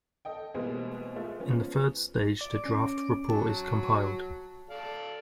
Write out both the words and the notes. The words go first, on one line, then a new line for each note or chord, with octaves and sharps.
In the third stage the draft report is compiled.
A4 D#5 G5
B2 E3 G3 G#3 A#3 C4
G#3 A3 F4
F3 B3 C#4
D5 D6
C#4
F#3 A5
A4 D5 F5